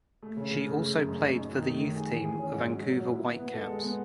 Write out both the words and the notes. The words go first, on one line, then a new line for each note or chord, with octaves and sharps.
She also played for the youth team of Vancouver Whitecaps.
A3
C#3
C#3
A3
C#3
F#2
F#2
F#2
D#4
D#3
A3
D#3
G#4
E3
G#4
C#4
G#2
F#3
F#3
F#3
E4
B3
B3
A4
G#3
B3